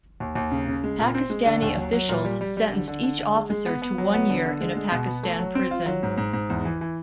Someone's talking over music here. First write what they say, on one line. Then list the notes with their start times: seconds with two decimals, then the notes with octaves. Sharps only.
Pakistani officials sentenced each officer to one year in a Pakistan prison.
0.20 D#2
0.35 D#2
0.51 C#3
0.68 C#3
0.84 G#3
0.99 A#2
1.15 C4
1.30 G#3
1.46 D3
1.62 D#2
1.78 F#3
1.93 F#3
2.09 A#2
2.25 G3
2.41 G3
2.57 G3
2.72 D3
2.88 D3
3.03 D3
3.19 D3
3.35 G#3
3.50 G#3
3.66 B3
3.82 B3
3.98 F#3
4.14 B3
4.30 D3
4.45 D3
4.61 G#3
4.77 G#3
4.92 B2
5.07 B3
5.23 A3
5.39 F#3
5.55 C4
5.71 F4
5.86 F#3
6.03 G#2
6.18 G#2
6.33 G#2
6.50 E2
6.65 E3
6.81 E3